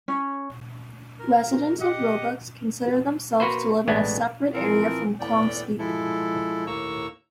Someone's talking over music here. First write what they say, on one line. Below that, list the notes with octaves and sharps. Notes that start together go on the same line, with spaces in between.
Residents of Roebuck consider themselves to live in a separate area from Clonskeagh.
C#4
A#4
G4 D#5 F#5
A#3 F#4 B4 C5
A1 G#3 B3 D4
E3 F3 C4 A#4
E2 A2 B3 D5 G5
F3 G#3 E4 A4
D#2 A2 A#3 A#5 C#6 E6